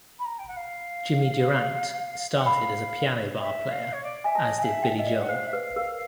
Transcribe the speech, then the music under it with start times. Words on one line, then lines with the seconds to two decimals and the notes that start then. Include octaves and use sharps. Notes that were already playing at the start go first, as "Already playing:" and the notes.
Jimmy Durante started as a piano bar player, as did Billy Joel.
0.19 B5
0.25 A#5
0.39 G5
0.48 F#5
0.56 F5
2.35 F#5
2.46 F5 B5
3.40 E5
3.71 F5
3.93 C#5
4.03 D5
4.24 E5 G#5
4.35 D#5 A5
4.58 F5 G#5
4.66 E5
4.83 G5
4.97 D#5 E5
5.06 D5
5.22 F#5
5.29 C5 F5
5.47 E5
5.53 B4 F5
5.76 A#4 F5